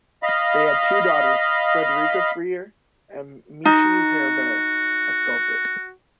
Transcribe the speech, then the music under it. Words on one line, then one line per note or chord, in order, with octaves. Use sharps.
They had two daughters, Frederica Freer and Michie Herbert, a sculptor.
D#5 F5 B5
D#4 F#4